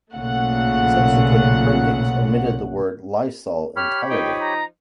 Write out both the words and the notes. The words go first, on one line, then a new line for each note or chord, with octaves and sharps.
Subsequent printings omitted the word Lysol entirely.
B1 A#2 C#3 A3 F#5
G4 C#5 B5 F6
F3 D#4 G5
A#5